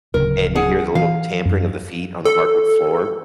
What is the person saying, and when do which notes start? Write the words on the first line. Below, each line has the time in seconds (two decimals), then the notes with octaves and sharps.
and you hear the little tampering of the feet on the hardwood floor,
0.14 D1 C#3 A#4
0.55 G#4 F#5
0.95 E3 F5
1.45 F#2
2.25 A4